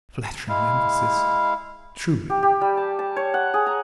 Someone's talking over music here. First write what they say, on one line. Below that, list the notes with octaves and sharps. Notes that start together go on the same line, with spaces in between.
A flattering emphasis, truly!
G#3 E4 F5
G4
G4
G3
A5
A5
C#5
F#5
G#4
A#5